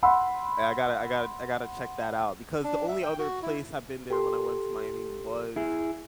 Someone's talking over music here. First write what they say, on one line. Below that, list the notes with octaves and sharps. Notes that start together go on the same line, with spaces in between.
Hey, I gotta I gotta I gotta check that out because the only other place I've been there, when I went to Miami, was
F#5 B5 C6 E6
D4
E5
G5
F#4
E4
G4 A4 C6
E4 G#4